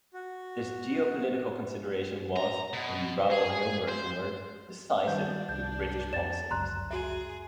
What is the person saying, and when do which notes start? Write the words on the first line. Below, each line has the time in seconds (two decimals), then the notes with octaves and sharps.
This geopolitical consideration was, in Raul Hilberg's word, "decisive" to British policies.
0.14 F#4
2.37 A#5
2.73 B2
3.32 G#4
3.89 C5
5.08 D#3 G3 D4 G6
5.49 C2 G6
6.13 F2 D5 A6 E7
6.51 G1 C#2 F#2 A#5 C6 F#6
6.91 F#4 G#4 E5